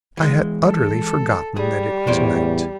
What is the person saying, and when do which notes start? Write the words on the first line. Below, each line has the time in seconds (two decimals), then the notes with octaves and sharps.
I had utterly forgotten that it was night.
0.17 E3 G#3
0.66 A4
1.57 G3 G#4
2.07 E2 A2 C5 D5